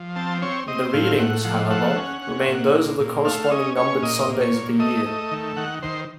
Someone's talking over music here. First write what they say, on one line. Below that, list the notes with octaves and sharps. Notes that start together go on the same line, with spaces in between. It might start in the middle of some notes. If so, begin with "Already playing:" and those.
The readings, however, remain those of the corresponding numbered Sundays of the year.
Already playing: F3
C4 A5
C4 C#5
C4 D#5
A2 F5
A2 F#5
F3 F#5
A3 F#5
C#4
C#4
A#2
A#2
A#2
A3 F5
F5
C#4 D#5
C#4 C#5
A#2 D#5
A#2
C#5
A#2
A3 D#5
A3
D#3
D#3 F#5
D#3 C5